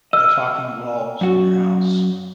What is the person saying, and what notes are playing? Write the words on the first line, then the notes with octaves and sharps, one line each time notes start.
the talking walls in your house,
D#5 E6 F6
F#2 F#4